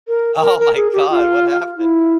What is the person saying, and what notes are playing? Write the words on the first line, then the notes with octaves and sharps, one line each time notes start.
Oh my God, what happened?
A#4
A#4
A#4
G#4
G4
F4
E4